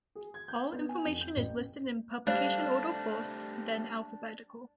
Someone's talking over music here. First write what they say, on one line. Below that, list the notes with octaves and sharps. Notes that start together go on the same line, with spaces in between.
All information is listed in publication order first, then alphabetical.
G#4
G#6
G6
B3
G#5
F2
G6
A1
G3 A3 C4 D4 C5 F5 F#6